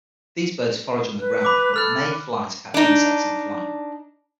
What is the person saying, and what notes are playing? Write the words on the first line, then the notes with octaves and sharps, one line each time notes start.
These birds forage on the ground, but may fly to catch insects in flight.
B4
B5 D6
A4 B5 F6 F#6
D4 D#4